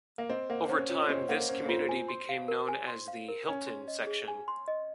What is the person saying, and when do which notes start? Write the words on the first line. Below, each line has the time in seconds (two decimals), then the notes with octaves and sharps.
Over time, this community became known as the Hilton section.
0.18 A#3
0.29 C4 D#5
0.50 A#3 F#5
0.69 C#4 C5
0.89 C#4 F4
1.03 C#4
1.08 C4 D#5
1.29 A#3 F#5
1.49 C#4 C5
1.64 A#3
1.69 C4 F4
1.89 G#5
2.08 C6
2.29 F5
2.48 A#4
2.68 G#5
2.88 C6
3.08 F5
3.28 A#4
3.48 C#4 G#5
3.67 C6
3.88 D#5
4.07 G#4
4.28 G#5
4.48 C6
4.68 D#5